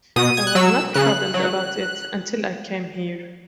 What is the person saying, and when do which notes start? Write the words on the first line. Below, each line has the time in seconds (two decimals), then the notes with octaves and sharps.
I was not troubled about it until I came here.
0.16 B2 D#6
0.37 G#6
0.47 F#6
0.55 F#3 E6
0.94 C#3 F#6
1.34 F#3